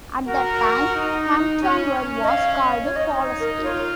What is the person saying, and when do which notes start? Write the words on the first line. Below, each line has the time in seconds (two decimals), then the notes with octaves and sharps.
At the time, Hamptonville was called "Pollasky".
0.26 F#4 A#4 F#5
0.94 D#4
1.61 C#4
1.95 C#4
2.23 D#5
2.28 F5
2.84 C#5
2.96 D#4 D#5
3.40 A#4
3.63 F4 C#5